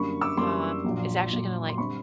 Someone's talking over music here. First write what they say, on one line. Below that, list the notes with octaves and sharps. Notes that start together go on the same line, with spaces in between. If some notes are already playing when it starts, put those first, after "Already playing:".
um, is actually gonna, like
Already playing: F#2 D3 G3 A#3 D4 B5 C#6
D6 E6
F#2 D3 G3 A#3 D4 C6 D6
A#1 A#2 F#3
A#1 A#2 F#3
C6
D3 G3 C4 B5 C#6